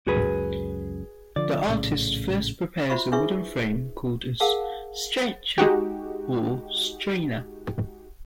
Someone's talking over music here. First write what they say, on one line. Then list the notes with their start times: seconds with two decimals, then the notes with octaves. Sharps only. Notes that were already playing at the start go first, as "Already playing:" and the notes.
The artist first prepares a wooden frame called a "stretcher" or "strainer".
0.07 C#2 F#2 F#4 G#4 B4
1.36 D3 F3 D5
1.67 A#1 A2 C#3
2.90 F4 F#4 C5 E5 B5 C#6
3.12 D4 E4 G#4 B4 E5 C#6
4.40 G#4 A#4 F5 F#5 A5
5.58 G#3 D#4 F#4 G4